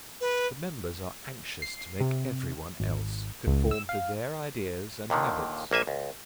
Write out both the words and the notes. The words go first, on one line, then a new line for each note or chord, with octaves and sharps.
The members are anxious to make everyone else conform to their ideas and habits.
B4
C7
C3
G#1
C#2
E6
F5
D#2 A#2 D3 D#3
A#1 A#3 E5 G#5
C#2